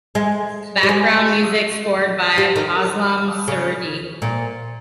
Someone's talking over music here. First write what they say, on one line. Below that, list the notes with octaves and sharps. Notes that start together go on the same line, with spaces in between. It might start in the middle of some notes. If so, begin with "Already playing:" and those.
Background music scored by Aslam Surti.
G#3
G3
G#3
G3
D#3
C#3
A#2